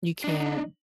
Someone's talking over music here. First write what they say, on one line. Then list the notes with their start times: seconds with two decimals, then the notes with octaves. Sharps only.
You can't.
0.24 D4 D#4